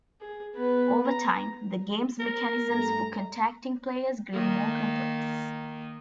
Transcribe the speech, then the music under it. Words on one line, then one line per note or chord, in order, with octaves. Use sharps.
Over time, the game's mechanisms for contacting players grew more complex.
G#4
B3 B4
A#5
A#4
G2 A3 A#5
D#3 A#3